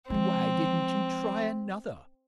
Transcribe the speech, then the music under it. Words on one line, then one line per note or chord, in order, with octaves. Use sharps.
"Why didn't you try another?"
F3 G#3 C4